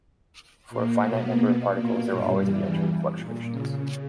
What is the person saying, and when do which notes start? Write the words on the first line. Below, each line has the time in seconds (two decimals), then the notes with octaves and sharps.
For a finite number of particles, there will always be entropy fluctuations.
0.70 A#2 A#3
1.06 B2 B3
1.40 B2 B3
1.75 A#2 A#3
2.10 G2 G3
2.45 E2 E3
3.16 A#2
3.51 C#3